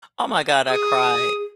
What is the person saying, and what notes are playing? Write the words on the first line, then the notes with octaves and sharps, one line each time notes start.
oh my god, I cried.
G#4 D#6